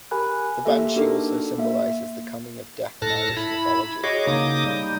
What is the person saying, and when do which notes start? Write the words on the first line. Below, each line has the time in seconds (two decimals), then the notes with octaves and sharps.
The Banshee also symbolizes the coming of death in Irish Mythology.
0.11 G4 A#4 G#5 B5 F#6
0.65 A#3 G4 A4 E5
0.96 D4 D#4 F#4 G4 A4 A#4
1.58 A#3 E5
3.02 A2 A4 A5 F6 F#6 A#6
3.37 E4 B5
4.04 F#4 G#4 C#5 D#5 D6
4.27 C#3 A#3 D#4 D6 D#6
4.66 G3 D#4